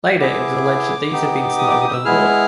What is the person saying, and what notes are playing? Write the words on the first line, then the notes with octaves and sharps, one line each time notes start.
Later it was alleged that these had been smuggled on board.
B3 E4 G#4 D6
B3 D#4 G4
D#6
D6
D#6
E6
G#3 B3 E4 G#4 F6